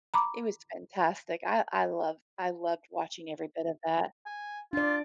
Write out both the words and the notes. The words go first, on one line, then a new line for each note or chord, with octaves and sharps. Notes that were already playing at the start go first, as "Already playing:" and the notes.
it was fantastic, I I loved I loved watching every bit of that.
A#5 B5 D6
G#5
D4 F4 D5